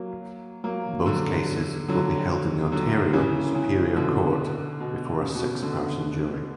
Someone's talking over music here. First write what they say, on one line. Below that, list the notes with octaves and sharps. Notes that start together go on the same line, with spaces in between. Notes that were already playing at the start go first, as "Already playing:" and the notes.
Both cases will be held in the Ontario Superior Court before a six-person jury.
Already playing: F#3 A#3
F#3 A#3
D3 F#3
D3 F#3
D3 F#3
C#3 E3
C#3 E3
B2 D3
B2
C#3
B2
B2 D3